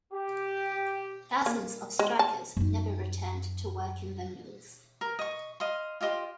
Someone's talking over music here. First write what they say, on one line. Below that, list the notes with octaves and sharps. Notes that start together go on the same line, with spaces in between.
Thousands of strikers never returned to work in the mills.
G4
A#3
G#3
A5
F#2 D#4
A#4
D#5 C#6
D#5 F5 C6
F4 G4 D#5 C6